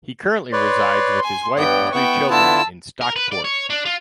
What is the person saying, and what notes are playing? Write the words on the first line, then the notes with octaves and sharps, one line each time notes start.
He currently resides with his wife and three children in Stockport.
B4 C#5 D5 C6
G#5
G2 B3 B4 C#5 D5 G5
B3 E4 G5 C#6
D3 E4 F4 A5 E6
A#4
B4
D5
C#5
D4
F4